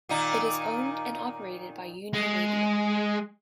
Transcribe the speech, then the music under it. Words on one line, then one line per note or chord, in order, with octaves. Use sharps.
It is owned and operated by Uniradio.
A#2 D#3 D#4
G#3